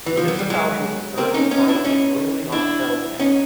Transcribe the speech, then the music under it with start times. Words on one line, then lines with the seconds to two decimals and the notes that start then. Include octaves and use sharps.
The municipality was historically part of the Neuilly-en-Thelle canton.
0.06 E3
0.17 F3
0.28 F#3
0.39 G3
0.50 F#3 G#3
1.17 A#3 C4
1.34 C#4 D#4
1.51 C#4 D#4
1.68 D4 E4
1.85 C#4 D#4
2.52 D4 E4
3.20 C#4 D#4